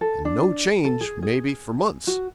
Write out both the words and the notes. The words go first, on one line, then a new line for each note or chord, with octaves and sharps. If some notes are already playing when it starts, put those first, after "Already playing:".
And no change, maybe, for months.
A4
D4
A4
G#4
G#4
F#4